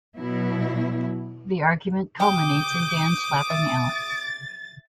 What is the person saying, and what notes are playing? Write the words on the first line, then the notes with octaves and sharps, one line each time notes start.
The argument culminates in Dan slapping Alice.
B2 F#3 E4
G4 D6 D#6 G6
E5 A6